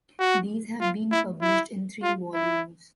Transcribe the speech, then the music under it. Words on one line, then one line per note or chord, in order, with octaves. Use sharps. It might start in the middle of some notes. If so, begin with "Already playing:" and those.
These have been published in three volumes.
F#4
F4
E4
E4
F4
E4